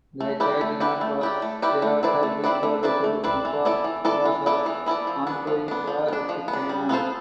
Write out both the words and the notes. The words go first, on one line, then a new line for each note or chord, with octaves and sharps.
The "Catinat" was thereafter recalled to Macau because of the ongoing war with China.
A3
E4 G4 B4 D5
A3
E4 G4 B4 D5
A3
E4 G4 B4 D5
A3
E4 G4 B4 D5
A3
C4 E4 B4 D5
A3
C4 E4 B4 D5
A3
C4 E4 B4 D5
A3
C4 E4 B4 D5
E3
B3 E4 A4 D5
E3
B3 E4 A4 D5
E3
B3 E4 A4 D5
E3
B3 E4 A4 D5
F3
B3 D4
F3
B3 D4
F3
B3 D4
F3
B3
D4
G3
B3 F4 A4 C5